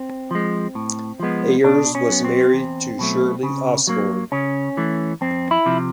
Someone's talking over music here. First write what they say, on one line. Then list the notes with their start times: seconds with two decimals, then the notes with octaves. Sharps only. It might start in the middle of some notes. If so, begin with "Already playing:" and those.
Ayers was married to Shirley Osborn.
Already playing: C4
0.31 F3 G#3
0.75 A2
1.20 F3 G#3 B3
1.64 B2 D4
1.95 C#4
2.09 F#3 B3
2.24 C4
2.53 E2
2.99 B2 F#3 A3
3.43 C#3
3.87 F#3 A#3
4.32 C#3 C#4
4.77 E3 A3
5.21 F2 C4
5.51 E4
5.66 C3 F3